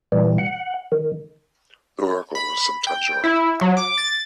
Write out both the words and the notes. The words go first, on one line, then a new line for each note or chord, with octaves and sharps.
The oracle was sometimes wrong.
A#2 E3 G3
F#5
D#3
B5
G5
E4
F#3
D6
A6